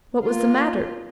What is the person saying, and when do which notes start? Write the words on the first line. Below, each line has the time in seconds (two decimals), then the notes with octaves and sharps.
What was the matter?
0.24 A#3 F4